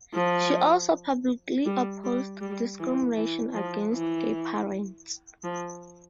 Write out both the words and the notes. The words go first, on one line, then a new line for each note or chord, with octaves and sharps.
She also publicly opposed discrimination against gay parents.
F3
G3
G3
G3
E3
E3
F3
E3
F3